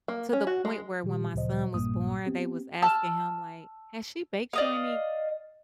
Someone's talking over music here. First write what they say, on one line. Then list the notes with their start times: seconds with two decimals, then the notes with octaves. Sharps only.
to the point where when my son was born, they was asking him like, "Has she baked you any
0.08 A#3
0.33 C#4
0.47 F#4
0.65 G#3
1.04 A#2 D#3 F3 G3 G4
1.34 D2 A#2 C#3 F3 C5 D#5
1.74 A#1 G2 A#2 G3 A#3 D#6
2.26 B3 C4 G4
2.82 A5 E6 F6
4.53 D5 D#5 F5